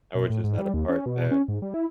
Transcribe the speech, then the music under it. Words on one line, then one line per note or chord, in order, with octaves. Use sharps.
I was just at a park that
B2
A2
G#2
G3
D#2
C#4
B2
C#4
G#2
G3
E4